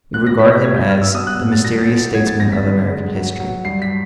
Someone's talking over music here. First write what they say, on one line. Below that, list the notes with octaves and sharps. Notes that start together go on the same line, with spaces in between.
We regard him as the MYSTERIOUS STATESMAN OF AMERICAN HISTORY.
A2 F#6
A#6
A2 B6
A#6
G3 G#6
G6
G2 F6
E6
B2 D#6
F#6
B2
A6
B2 A#6
A6
B2
A6
F#3 G#6
A6
F2 A#6
B6
D3
G#3
F#3
F#3
G2 C7
B6